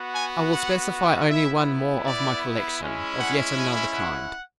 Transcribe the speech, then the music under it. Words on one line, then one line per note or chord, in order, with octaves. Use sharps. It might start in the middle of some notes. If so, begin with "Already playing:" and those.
I will specify only one more of my collection, of yet another kind.
Already playing: B3 F#4
G#5
F#5
B3 E4 E5
D5
G#3 C#4 E4
F#5
G#5
F#5